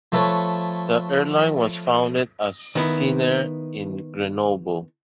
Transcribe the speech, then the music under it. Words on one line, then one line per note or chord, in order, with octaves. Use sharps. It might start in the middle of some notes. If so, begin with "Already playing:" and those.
The airline was founded as Sinair in Grenoble.
F3 A3 A4 B4 C#5
D#3 B3 E4